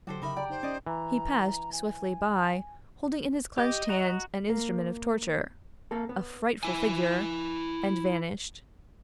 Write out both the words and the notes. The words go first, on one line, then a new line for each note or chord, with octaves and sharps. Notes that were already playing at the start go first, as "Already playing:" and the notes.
He passed swiftly by, holding in his clenched hand an instrument of torture--a frightful figure--and vanished.
D3 F#3 F#4 G4 A4 C5
C#3 D#4 A#4 E5 B5
D5 G5 A#5
D#4 C5
C#4 D5 D#5
E3 A#5
G#5
G4 D#5 D6
F#4 A#5
A#3
A#3 A4
B3
E4 G#5